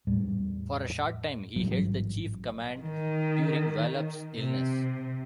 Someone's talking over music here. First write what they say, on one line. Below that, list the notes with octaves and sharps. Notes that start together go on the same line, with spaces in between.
For a short time, he held the chief command during Wallop's illness.
E2 A2 G3
A1 G#2 F#3 G3
D#3
C3